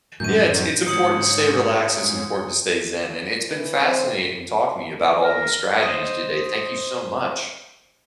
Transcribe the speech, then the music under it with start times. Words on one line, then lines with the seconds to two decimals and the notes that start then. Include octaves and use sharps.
Yeah, it's it's important to stay relaxed, it's important to stay zen, and it's been fascinating talking to you about all these strategies today, thank you so much.
0.20 F#2 A2 E3 G3 G6 D#7
0.87 G#2 C#5 D#6 C#7 F#7
3.48 E3
3.81 C4
5.24 A#4
5.83 C5 D#5